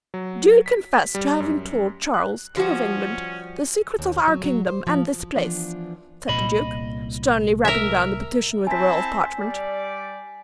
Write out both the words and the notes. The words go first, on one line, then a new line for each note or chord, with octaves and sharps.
"Do you confess to having told Charles, King of England, the secrets of our kingdom and this place?" said the duke, sternly rapping down the petition with a roll of parchment.
F#3
B6
G3
F#2
F#6
F3 G3 C#4 F#4
D#2
F#3
F#3
C5
F3
E3 F3 B3 D4 F4
C2 A#2 A#3 D#5 B5
A#4 E5
C4 E4 G#5 A5 B6
G3 D5